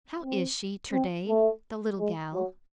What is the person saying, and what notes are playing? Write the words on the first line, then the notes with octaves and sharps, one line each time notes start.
"How is she, ter-day--the little gal?"
C4
C4
A3
G#3
F#3